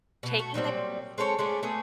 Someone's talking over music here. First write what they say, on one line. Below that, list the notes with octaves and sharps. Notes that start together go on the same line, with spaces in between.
Taking the
B2
A3 F#4
A#2 F#3 G3 C4
G#3 C4 A4 C#5
G#3 A3 C#4 D4
A3 B3 G#4